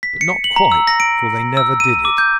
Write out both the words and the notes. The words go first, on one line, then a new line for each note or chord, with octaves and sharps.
But not quite, for they never did it.
B6
C#7
F#7
A#5
E6
A#6
D7
E6
D#7
D6
G6